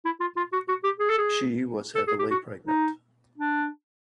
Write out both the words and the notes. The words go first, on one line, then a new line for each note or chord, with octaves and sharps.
She was heavily pregnant.
E4
F4
F4
F#4
F#4
G4
G#4
A4
G#4
A4
G#4
G4
F#4
D#4
D4